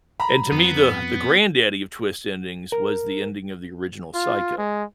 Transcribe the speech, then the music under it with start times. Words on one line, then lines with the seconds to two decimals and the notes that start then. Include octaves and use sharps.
And to me, the the granddaddy of twist endings was the ending of the original Psycho,
0.20 A#5 B5
0.52 F2 B3
2.72 A#4
4.14 F4
4.58 G#3